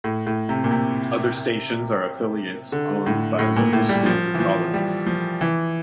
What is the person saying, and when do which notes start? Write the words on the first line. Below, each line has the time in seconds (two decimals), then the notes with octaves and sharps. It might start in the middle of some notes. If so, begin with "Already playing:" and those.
Other stations are affiliates, owned by local schools or colleges.
0.04 A2
0.27 A2
0.49 C3
0.64 A#2
0.71 C3
2.72 D3
3.06 A2
3.39 A2
3.56 A#2
3.73 A2
3.89 G3
4.06 F3
4.34 E3
4.40 F3
4.74 G3
5.06 F3
5.41 E3